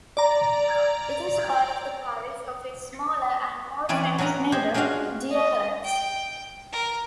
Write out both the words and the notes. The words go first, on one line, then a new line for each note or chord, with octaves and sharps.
It is part of the parish of its smaller and more famous neighbour, Deerhurst.
D5 A#5
E3 C4 C#4 B4 C#5 D5
F#3 C#4 D4 B4 A#5
G4 C5 D#5 G#5
G#3 C#4 D4 F4 F#4 F5
D#5
G5
A#4